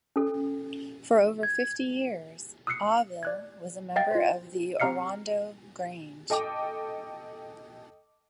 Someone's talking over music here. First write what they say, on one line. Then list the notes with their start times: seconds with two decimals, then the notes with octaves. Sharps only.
For over fifty years, Auvil was a member of the Orondo Grange.
0.16 C#4 A4
1.43 G#6
2.67 D#6 E6 F#6 C7 C#7
3.23 D5 F#6 G#6
3.96 D#5 F5 G5 A6
4.11 F4 C5
4.80 C4 G4 A#5 F6 C7 C#7
6.30 A4 D#5 G5 D6